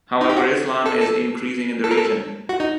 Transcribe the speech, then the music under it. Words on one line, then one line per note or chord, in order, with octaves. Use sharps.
However Islam is increasing in the region.
D#4
G4
F#4
A4
A4
A4
A#4
A4
F#4
D#4